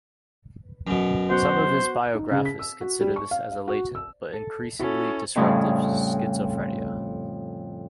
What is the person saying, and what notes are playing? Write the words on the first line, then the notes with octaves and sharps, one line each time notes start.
Some of his biographists considered this as a latent, but increasingly disruptive schizophrenia.
F#2 B2
B3 F#4 C5 F#5
D#4
C#3
B6
E6
F#4
G3
C#6
F5
F5
F#4
E6
A4
C#4 E4 F#4 A4
F2 A2 C#3 F3 G3